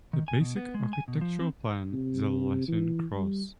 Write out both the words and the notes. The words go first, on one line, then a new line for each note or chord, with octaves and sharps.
The basic architectural plan is a Latin cross.
D#3
G#5
B2
B3
G#3
G#5
B2
F3
C4
C3
E3
G3